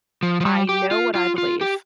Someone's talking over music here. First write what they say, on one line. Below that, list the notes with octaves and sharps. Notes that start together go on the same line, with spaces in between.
I know what I believe.
F3
F3
G3
G4
F4
F4
F4
G4